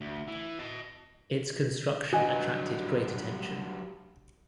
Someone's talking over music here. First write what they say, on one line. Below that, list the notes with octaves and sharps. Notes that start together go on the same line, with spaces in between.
Its construction attracted great attention.
D2
E3
D#5 A5
G2 D#3 F#3 F#4 D#5 G#5